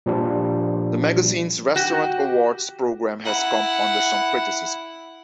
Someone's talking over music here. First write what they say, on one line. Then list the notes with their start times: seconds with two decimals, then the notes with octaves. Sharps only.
The magazine's Restaurant Awards program has come under some criticism.
0.06 A#2 F3 G3 D4
1.76 F#4 G4
3.25 E4 F#5